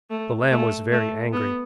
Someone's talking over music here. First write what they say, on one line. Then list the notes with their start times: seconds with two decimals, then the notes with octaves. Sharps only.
The lamb was very angry.
0.10 A3
0.51 A3
0.91 A3
1.33 B3